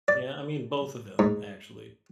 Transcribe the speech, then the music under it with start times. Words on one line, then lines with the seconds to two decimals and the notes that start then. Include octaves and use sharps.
Yeah, I mean both of them actually.
0.08 D5
1.19 G#2